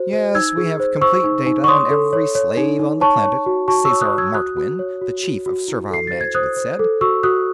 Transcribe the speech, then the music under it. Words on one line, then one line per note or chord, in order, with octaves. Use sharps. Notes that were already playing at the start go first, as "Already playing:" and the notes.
"Yes, we have complete data on every slave on the planet," Sesar Martwynn, the Chief of Servile Management, said.
Already playing: F#4 C5
C5
D#4 E6 G#6
G#4
C5
C5 C#6 E6
D#4
D#4
C#6
C#5 C6 D#6
A4
C#5
C#5
D#4
D#4
C#5 A5 C#6
C#5
F#4
F#4 A5 C#6
C#6 E6
C#5
D#6 F#6
F#4
E6 G#6
F#4 D#6 F#6
F#4
C#5
F#4
F#4
F#4
E4
A4 C7
C5 A6
G#6
C5 D#6 F#6
C5
A4
F#4 C#6 E6
F#4 D#6 F#6